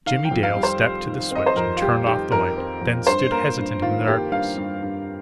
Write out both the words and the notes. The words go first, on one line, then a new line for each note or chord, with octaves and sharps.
Jimmie Dale stepped to the switch and turned off the light; then stood hesitant in the darkness.
D#3 F5
G5
F2
F5
G3
C5
G3
D#3
C4 D#5
C5
F2 A#4
F4
G3 G4
D#3 G4
F2 A#4
C4
F2
G2 C5
A#3 A#4
G2
D#3 F4
A#3 G4
G2 F5
G2
G2